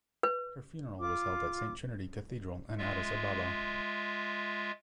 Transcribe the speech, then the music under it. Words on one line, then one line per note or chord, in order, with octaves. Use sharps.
Her funeral was held at Saint Trinity Cathedral in Addis Ababa.
B4
F4 D6
G#3 F4 E5